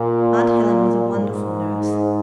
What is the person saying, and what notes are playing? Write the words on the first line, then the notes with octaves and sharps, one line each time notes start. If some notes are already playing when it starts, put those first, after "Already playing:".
Aunt Helen was a wonderful nurse.
Already playing: A#2
G#2